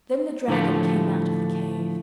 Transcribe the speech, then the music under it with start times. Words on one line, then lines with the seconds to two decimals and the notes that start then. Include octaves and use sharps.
Then the dragon came out of the cave.
0.48 A2 D3 E3 F3 A3